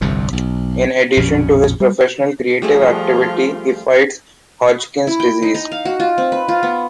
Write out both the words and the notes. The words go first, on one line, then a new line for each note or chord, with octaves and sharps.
In addition to his professional creative activity,he fights Hodgkin’s disease.
G1 C2 F2 C3
B1
A#1 F2 B2 C#4
G3
F3 G3 A3 F4 G#4
E4
G5
D#4
D#4
F5
F#4
F4
C4
B4
F4
B3